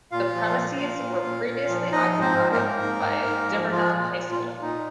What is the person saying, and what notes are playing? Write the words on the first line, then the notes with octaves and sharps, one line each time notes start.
The premises were previously occupied by Divernon High School.
A#2 F4 F5
F3
A#2
A#2
A#2
A#2
A#2
F3
F3 D#4 D#5
G#2
C4 C5
G#2
A#3 A#4
G#2
G#2
G#2
G#2
F3
F3 F4
A#2
F4
A#2
F4
A#2
A#2 D#4